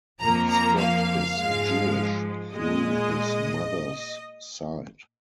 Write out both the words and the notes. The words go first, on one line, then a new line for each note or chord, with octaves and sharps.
Scott is Jewish through his mother's side.
F2 F3 A#3 A#5
A#5
F5
G#2 F3 G#3
A#2 G#3 D#5